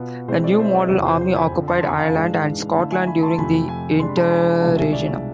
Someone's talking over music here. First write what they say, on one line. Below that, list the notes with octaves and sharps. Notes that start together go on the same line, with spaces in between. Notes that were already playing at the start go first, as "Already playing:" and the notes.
The New Model Army occupied Ireland and Scotland during the Interregnum.
Already playing: B2 B3 F4
B2 G#3 C4 E4 C5
D5
C5 E5
D5
E2 C3 F3 D5
C5
C5
G#5 B5
F2 D3 F3
A5 C6
G#5 B5
F5 A5
G#2 E3 G#3 D4
D3 A3 E4 F5 A5
E5 G#5
G#5 B5
A5 C6
F2 C3 F3 A3 G#5 B5
G#5 B5
C3 G#3 D4 C6
B5
A5 C6
G#5 B5
C2 B2 G#3 D4 F4 F5 A5
E5 G#5
D5
D5